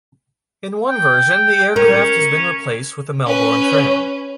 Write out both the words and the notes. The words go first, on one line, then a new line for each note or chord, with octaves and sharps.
In one version, the aircraft has been replaced with a Melbourne tram.
G5
C#4 A#4
C#4 B4